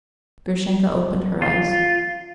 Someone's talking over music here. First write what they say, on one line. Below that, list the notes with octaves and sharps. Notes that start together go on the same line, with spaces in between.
Grushenka opened her eyes.
F4